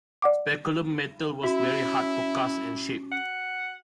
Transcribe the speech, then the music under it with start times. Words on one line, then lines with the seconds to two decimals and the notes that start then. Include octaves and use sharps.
Speculum metal was very hard to cast and shape.
0.22 D5 F#5 D6
1.44 C#4 E4 F#4 E5
3.12 F#5